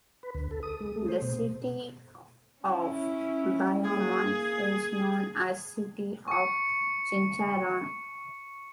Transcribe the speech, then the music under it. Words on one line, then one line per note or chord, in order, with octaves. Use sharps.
The city of Bayamon is known as "City of Chicharron".
B4
D2
A4
D#6
G#3
A3
C5
B2
C#4 E4
A#3 G#4
C#6 C#7